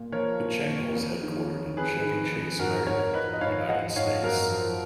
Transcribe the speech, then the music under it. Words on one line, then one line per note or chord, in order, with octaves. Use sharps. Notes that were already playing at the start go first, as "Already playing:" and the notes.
The channel is headquartered in Chevy Chase, Maryland, United States.
Already playing: A#2
F3 A#4 C#5
A#2
A#2
F2
D#3
D#3
F2 G#4 B4
D#3
F2
G#2 F#4 A#4
G#2 A#4 C#5
F3 B4 D#5
D#5
G#2 C#5 F5
F3 D#5 F#5
G#2 C#5 F5
F#2 F#4 A#4
F3